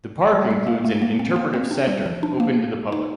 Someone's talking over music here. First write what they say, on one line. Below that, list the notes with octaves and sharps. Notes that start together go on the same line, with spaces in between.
The park includes an interpretive center open to the public.
G3
G3
A#3
A3
A#3
C4
A#3
C4
D4
G3
F3
D4
A#3
D#4